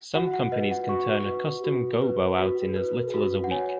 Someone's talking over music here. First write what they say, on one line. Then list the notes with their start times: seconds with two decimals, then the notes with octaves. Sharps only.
Some companies can turn a custom gobo out in as little as a week.
0.15 F#4 F#5
0.34 F#5
0.52 B4 D#5
0.71 F#5
0.89 F#4 C#6
1.27 B4
1.64 F#4
2.02 B4
2.39 F#4
2.76 B4
3.14 F#4
3.44 F#5
3.51 C#5 G#5